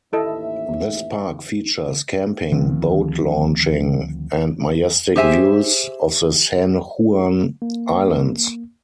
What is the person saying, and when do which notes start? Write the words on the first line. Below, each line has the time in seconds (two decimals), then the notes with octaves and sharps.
This park features camping, boat launching, and majestic views of the San Juan Islands.
0.13 A1 D#2 E4 A4 D#5 E5
2.52 D2 D#3 F3 C4
5.16 G4 G#4 C5 E5 G5 G#5
7.62 A#3